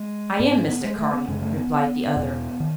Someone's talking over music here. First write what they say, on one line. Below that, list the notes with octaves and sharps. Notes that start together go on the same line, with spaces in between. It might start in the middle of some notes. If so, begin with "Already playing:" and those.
"I am Mr. Carling," replied the other.
Already playing: G#3
G#2 B3
C#4
B3
G#3
A3
B3
F#2 C#3 G#3
A3
B3
E2 B2
D#3